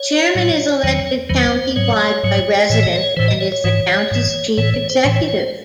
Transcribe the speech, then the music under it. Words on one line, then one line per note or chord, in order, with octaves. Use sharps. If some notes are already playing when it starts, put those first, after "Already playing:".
A chairman is elected countywide by residents and is the county's chief executive.
Already playing: C#5
A2 F#3
E2 D#3 F#3
E2 D#3 F#3 C5
G#2 F#3 C#5
G#2 F#3
A2 E3 C#5
D#5
C#5
A2 E3 C5
D#5
C#5
C#5
G#2 E3
G#2 E3
A2 E3 C#5
C#5
C5
A2 E3 C#5
C#5
C#5
C5